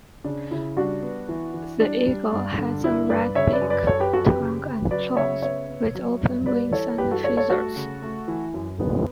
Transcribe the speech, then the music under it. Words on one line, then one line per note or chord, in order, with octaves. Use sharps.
The eagle has a red beak, tongue and claws, with open wings and feathers.
C#3 D4
C#3 E4
G3 D4 F#4
B3
E3
E3
G3 D4
G3
G2
D3
G2 E4
G2 B4 D5
C#3 C#5 E5
B4 D5
F#2
B4 D5
F#2 A4 C#5
G4 B4
F#2 F#4 A4
G4 B4
C#3
C#3
F#3 B4 D5
C#3 C#5 E5
B3 C#5 E5
B3
F#3
G2
G3 B4 D5
E3 A4 C#5
G2 G4 B4
F#4 A4
G3 A4 C#5
A4 C#5
A3 F#4 A4
C#3
A3
E3
F#2
B3